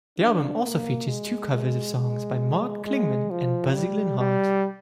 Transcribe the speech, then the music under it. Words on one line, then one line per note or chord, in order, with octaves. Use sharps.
The album also features two covers of songs by Mark Klingman and Buzzy Linhart.
D4
A#3
G#3
G#3
G#3
G#3
F3
G3
G3